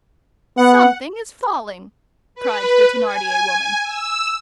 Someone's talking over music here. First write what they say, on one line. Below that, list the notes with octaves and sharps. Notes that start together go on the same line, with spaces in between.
"Something is falling!" cried the Thenardier woman.
B3 F#5
B4
G#5
E6